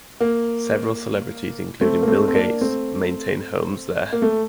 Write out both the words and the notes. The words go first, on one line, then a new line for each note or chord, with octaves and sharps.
Several celebrities, including Bill Gates, maintain homes there.
A#3
A3 C4
A#3
A3 C4
C4
A#3 D4
A3 C4
A#3
A3